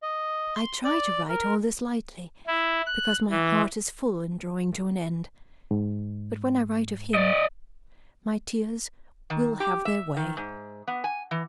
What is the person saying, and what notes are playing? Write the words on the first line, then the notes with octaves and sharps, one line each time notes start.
I try to write all this lightly, because my heart is full in drawing to an end, but when I write of him, my tears will have their way.
D#5
C6
D5
A#4
E4
F#6
E3
G#2
D5 D#5
D#3
G4
E5
D#3
G#2
B3
G#5
E3